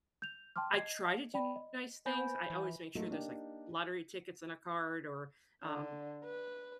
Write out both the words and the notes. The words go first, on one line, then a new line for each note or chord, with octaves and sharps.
I try to do nice things. I always make sure there's like lottery tickets in a card or, um,
G6 F7
G5 A5 C6 D6 F6
D#5 G#6 C7
D5 G5 B5
D#5
B3 C5 G#5 B5 G6
E3
F#3 A3 A#3 D#4 F4
A#3 D4 D#4 G4
D3
B4